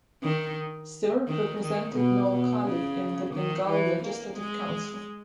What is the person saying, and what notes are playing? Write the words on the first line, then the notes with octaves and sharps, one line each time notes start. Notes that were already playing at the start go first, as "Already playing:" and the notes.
Sur represented Noakhali in the Bengal Legislative Council.
D#3
D#3
D#3
B2
B2
C#3
D#3
E3
A#3
G#3